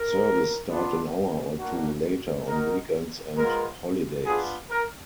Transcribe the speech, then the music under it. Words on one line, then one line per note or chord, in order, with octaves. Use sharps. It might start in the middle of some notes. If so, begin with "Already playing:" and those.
Service start an hour or two later on weekends and holidays.
Already playing: A#4
B3 D4 F4
A#3 D4 F#4
A#3 D#4 F#4 A#4
G#3 B3 F4 A#4
B3 D4 F4 G#4
A#4